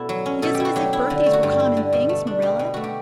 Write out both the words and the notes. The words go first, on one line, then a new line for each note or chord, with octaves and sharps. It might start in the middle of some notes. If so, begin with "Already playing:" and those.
It isn't as if birthdays were common things, Marilla.
Already playing: B2 E4 F#4 A4
F#3
C#4
B2 A4
G4
E4
F#4
F#3 G4
E4
D3
A3
F#4
G2 G4
E4
D3
B2
A3
D4
B2 G4
B2
A3 F#4
G4